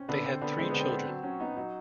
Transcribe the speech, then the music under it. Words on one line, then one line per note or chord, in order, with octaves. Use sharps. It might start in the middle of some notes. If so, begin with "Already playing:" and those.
They had three children.
Already playing: C4 C#4
D3 B3
D3 C4
D3 B3
G#3 C4
D3 B3
C4
B3
F#3
F#3 C#4
B3 D#4
F#3 D#4